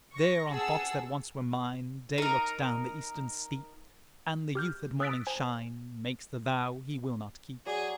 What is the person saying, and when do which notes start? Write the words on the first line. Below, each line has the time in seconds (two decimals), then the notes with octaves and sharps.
There, on thoughts that once were mine, Day looks down the eastern steep, And the youth at morning shine Makes the vow he will not keep.
0.12 C#6 A#6
0.51 G#4 F#5 A5 E6
2.18 D#4 A#4
4.55 G4 F6 G6
5.00 D#6 E6 F#6 A6 B6 D7
5.27 C5 G#5
7.66 F#3 G#4 D5